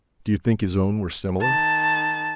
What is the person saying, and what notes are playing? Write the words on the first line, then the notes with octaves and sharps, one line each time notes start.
"Do you think his own were similar?"
D#3 A5